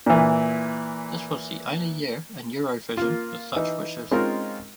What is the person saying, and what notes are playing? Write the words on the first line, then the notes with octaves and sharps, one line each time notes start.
This was the only year in Eurovision with such wishes.
A#2 E3
A#3 F4
E3 D#4
G#3 C4 C#4 D#4 F4 A#4